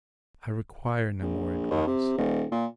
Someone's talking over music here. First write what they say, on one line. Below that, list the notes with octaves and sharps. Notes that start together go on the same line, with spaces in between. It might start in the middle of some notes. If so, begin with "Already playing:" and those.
"I require no more advice."
A#1
D#2
C3
D#1
A#2